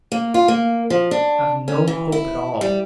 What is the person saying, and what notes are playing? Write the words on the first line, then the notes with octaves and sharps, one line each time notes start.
I have no hope at all.
A#3
F4
A#3
F3
D4
C#4
E3
E4
G3